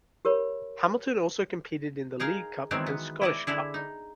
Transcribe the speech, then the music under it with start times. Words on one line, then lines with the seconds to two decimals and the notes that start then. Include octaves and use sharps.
Hamilton also competed in the League Cup and the Scottish Cup.
0.25 G4 A#4 C#5 B5
2.20 D#4 G#4 A#4 F5
2.71 D#3 E3 F#3 G#3 B3 C4
2.87 B3
3.22 E4 D5 D#5
3.47 D3 E4 G#4
3.74 D#4